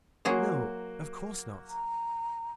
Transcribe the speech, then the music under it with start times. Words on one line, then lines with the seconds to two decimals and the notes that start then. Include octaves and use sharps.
"No, of course not."
0.25 F#3 A#3 F#4 G#4 C5
1.68 A#5